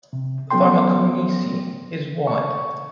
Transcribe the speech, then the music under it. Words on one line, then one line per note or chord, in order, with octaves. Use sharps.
Farmakonisi is wide.
C3
F#3 B3 C#4 A4 G5 C6
C#6